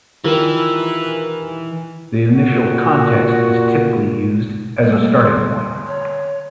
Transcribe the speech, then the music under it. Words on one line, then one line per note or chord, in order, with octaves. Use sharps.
The initial context is typically used as a starting point.
D#3 E3 G3 F4 A#4 B4
A#2 F#4
G3 A3 A#3 D#5
D3 C6
C#5